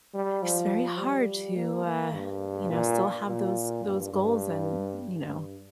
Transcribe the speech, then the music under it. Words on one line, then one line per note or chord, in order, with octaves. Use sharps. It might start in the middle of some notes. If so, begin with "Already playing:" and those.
it's very hard to, uh, you know, still have those those goals and, you know
G3
F3
G3
A#3
A#3
G2
A#2
A#2
G2
G2
G2